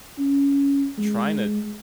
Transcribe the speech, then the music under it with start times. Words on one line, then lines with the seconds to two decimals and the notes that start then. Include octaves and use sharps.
trying to
0.18 C#4
0.98 G#3